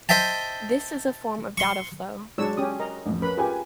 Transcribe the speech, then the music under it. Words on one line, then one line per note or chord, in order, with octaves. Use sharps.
This is a form of dataflow.
C5 D#5 E5 G5 A5
C6 C#6
F#3 G#3 D4 C#5 E6
C#4 G4 D#6
A#4 D#5 A#5
A1 F2
C#4 A#4 B4 B5
F4 G4 G#4 A#4 B4 G#5